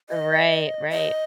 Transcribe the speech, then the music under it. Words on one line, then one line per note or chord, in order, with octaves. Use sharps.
Right, right.
D#5
D#5